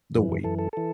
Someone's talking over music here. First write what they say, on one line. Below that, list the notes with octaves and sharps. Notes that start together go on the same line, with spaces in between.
the weight
F#2 E3
F#2 E3 A4
A4
E3 A4